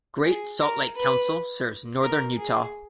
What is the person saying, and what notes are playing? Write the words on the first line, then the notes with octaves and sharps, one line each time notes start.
Great Salt Lake Council serves northern Utah.
G#4
A#4
B4
A#4
G#4